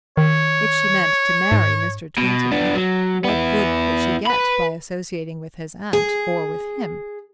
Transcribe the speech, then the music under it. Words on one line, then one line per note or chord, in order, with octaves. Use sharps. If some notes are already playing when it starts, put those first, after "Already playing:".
If she meant to marry Mr. Twentyman what good could she get by associating with his aunt or with him?
D#3 C#5
G#2
B2
B3 D4
F#3
B3 E4
B4 B5
G#4